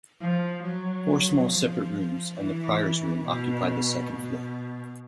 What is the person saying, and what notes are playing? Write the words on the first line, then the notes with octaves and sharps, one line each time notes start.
Four small separate rooms and the Prior's room occupied the second floor.
F3
F#3
F3
E3
B2
B2